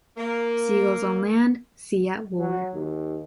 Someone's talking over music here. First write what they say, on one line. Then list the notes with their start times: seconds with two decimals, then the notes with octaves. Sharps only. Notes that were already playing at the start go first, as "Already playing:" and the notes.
Seagulls on lands, sea at war.
0.17 A#3
2.39 F#3
2.74 D#2